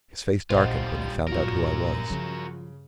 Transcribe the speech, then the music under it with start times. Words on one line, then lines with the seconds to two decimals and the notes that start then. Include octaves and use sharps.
His face darkened when he found out who I was.
0.50 A#1 G3 D4 F4 C5 D#5 F#5
1.28 G2 A#2 F#3 F4 F#4 A#4
2.10 C#3 F3